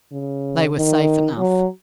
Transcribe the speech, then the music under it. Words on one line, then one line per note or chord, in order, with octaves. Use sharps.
They were safe enough.
C#3
D#3
F#3